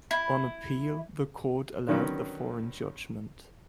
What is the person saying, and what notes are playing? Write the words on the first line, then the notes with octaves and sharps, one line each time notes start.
On Appeal the Court allowed the foreign judgment.
E4
D3 D#3 F#3 B3 C#4